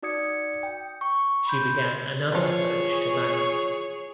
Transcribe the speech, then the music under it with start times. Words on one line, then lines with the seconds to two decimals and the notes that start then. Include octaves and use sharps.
She began another approach to Manus.
0.02 D#4 F#4 D5 D#6 G#6 C#7
0.63 G5
1.01 C#6
1.45 B5 C6 G6
2.32 E3 F3 G#4 C#5